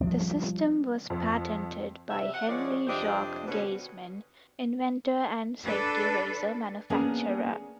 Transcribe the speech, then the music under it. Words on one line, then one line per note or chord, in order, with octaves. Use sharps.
The system was patented by Henry Jacques Gaisman, inventor and safety razor manufacturer.
F3 G3 C4
F2
C3 E5
F#5
F3 G#3 G#4 C#5 D5
F2 C3 D4 G4 C5 D#5
B2 D3 C#4 F#4 B4
D4 A4 B4
A#3 B3 C#4 D4 G#4 A#4